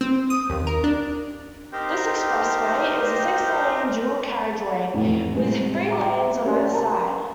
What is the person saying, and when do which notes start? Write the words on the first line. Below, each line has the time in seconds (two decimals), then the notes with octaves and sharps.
This expressway is a six-lane dual carriageway, with three lanes on either side.
0.01 C4
0.30 D#6
0.50 D#2
0.67 A#4
0.84 D4
1.72 C4 D#4 G4 A#4 C5 G5
4.94 F1 A2 E3
5.33 A2 C3 G3 G#3
5.88 E5 A#5 D6
6.45 C#4 G4 A#4 D5
6.70 A#4 A5 A#5